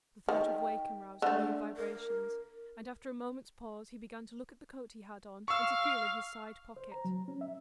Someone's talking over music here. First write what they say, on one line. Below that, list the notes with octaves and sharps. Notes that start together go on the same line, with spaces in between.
The thought of Wakem roused new vibrations, and after a moment's pause he began to look at the coat he had on, and to feel in his side-pocket.
D#3 G5
D3 A3 D4
A#4
F5 C#6 E6
C5
A#5
F#3
C#4
E5